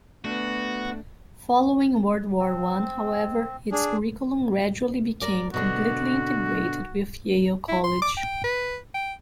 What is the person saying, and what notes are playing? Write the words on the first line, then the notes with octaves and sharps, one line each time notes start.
Following World War One, however, its curriculum gradually became completely integrated with Yale College.
A3 B3 D4 F#4
C4
D4 G#4
A#4 D5
B2 D3 D4 F#4
E4
C6
D6
G5
B4
G5